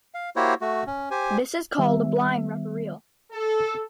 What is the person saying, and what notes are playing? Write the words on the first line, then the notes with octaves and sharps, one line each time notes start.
This is called a "blind" referral.
F5
A#3 E4 F#4 G4 C5 C#5
A3 F#4
C#4
G4 C5 G#5
D#3 G3 B3 E5
A4